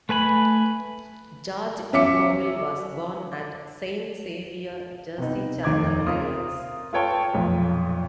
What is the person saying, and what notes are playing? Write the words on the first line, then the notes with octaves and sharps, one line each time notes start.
George Ingouville was born at Saint Saviour, Jersey Channel Islands.
A3 B4 G#5 B5
C#4 E5 D6 C#7
C3 B3 D#4
F1 D#2 D#4 D6 G#6
C4 F4 A#4 D#6
F4 A4 B4 C#5 G5 A5
B1 F2 A#2